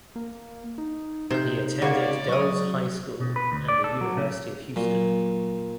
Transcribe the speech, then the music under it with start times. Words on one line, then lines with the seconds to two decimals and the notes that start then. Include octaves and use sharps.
He attended Dulles High School and the University of Houston.
0.16 A#3
0.78 D#4
1.31 C3 D#4 C5 G6
1.82 C#3 G#3 A#3 F#4 C#5 D5
2.28 F#3 C#6 D#6
3.20 B2
3.36 B4
3.52 D2
3.68 D5
3.84 A4
4.01 F#3
4.17 C#3
4.76 A#2 F#3